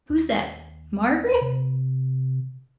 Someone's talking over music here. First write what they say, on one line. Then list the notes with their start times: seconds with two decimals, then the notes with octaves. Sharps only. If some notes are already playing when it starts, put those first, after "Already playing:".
Who's that,--Margaret?
0.10 D#2
1.41 C3